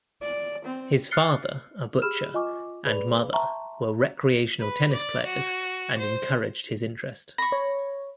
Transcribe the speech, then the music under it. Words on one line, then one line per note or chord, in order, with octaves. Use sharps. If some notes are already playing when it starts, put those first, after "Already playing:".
His father, a butcher, and mother were recreational tennis players and encouraged his interest.
D5
C4
F6 F#6 A6 C7 C#7 G7
G4 G#4 B5 E6 F6 E7
F4 D#5 G#5 C#6 D6
G#4 B4 D5 B5 F7
E5 G5 A5 A#5 C6 C#6
B4
D5
F#4
C5
B5 C#6 A#6
C#5